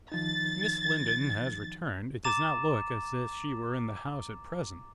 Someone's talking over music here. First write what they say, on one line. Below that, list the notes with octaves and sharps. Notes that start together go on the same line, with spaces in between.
'If Miss Lindon has returned, it does not look as if she were in the house at present.'
D#3 F3 D#4 A6
A#5 D6 A6 E7